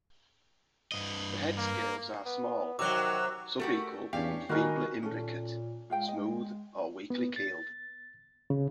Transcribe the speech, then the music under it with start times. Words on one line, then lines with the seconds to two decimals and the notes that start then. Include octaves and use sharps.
The head scales are small, subequal and feebly imbricate, smooth or weakly keeled.
0.92 G2 D#5
1.58 A#3
2.26 B3
2.79 C3 D#3 F#3 F#4 A#5 D6 E6 F#6
3.60 A3 F#4 G4 A#4
4.13 E2 C#4 D4 G4 F5
4.49 D#3 G3 A#3 D#4 F#4 A#4 G#5
5.03 A#2 C#4 A4
5.90 G#3 F4 F5 G5
6.08 D#5
7.10 B3
7.36 A6
8.50 C#3